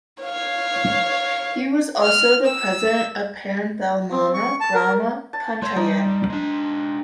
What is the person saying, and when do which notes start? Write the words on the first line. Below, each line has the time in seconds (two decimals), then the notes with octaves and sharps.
He was also the President of Perinthalmanna Grama Panchayat.
0.22 C#5 F5
2.02 F6
2.45 E6
4.12 C4
4.34 C#6
4.60 A5
4.75 A#4
5.33 A5
5.62 A3 C5 C#5
5.76 G3 D#4
6.30 G#3 D4